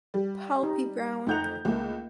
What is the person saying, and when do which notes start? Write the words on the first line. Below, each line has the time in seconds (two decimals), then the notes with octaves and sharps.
Palpi brown.
0.14 G3
0.63 D#4
1.27 F2 A3 D#4 F#5 G6 F7
1.65 C#2 A3 A#3